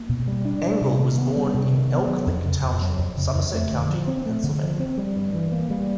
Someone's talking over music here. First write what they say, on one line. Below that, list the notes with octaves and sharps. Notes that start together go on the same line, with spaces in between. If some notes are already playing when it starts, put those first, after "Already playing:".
Engle was born in Elk Lick Township, Somerset County, Pennsylvania.
Already playing: A#3
B2
G3
D4
G3
C3
D#3
B3
G3
C3
D#3
B3
F#3
F2
C#3
F2
F#3
F2
C#3
F2
A3
D3
F3
C4
A3
D3
F3
C4
G3
G2
E3
A#3
G3